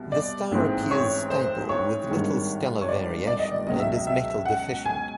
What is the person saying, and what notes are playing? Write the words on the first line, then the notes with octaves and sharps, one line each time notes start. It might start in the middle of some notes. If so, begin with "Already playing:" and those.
The star appears stable, with little stellar variation, and is metal-deficient.
Already playing: C2 B2
D5
A1 G#2 E3 G#3 C4
C#5
C5
C#5
G#1 G2 D#3 G#3
C#5
D5
D5
D#5
D5
C#2 B2 F#3 D#5
E5
D#5
E5
F#5
G#5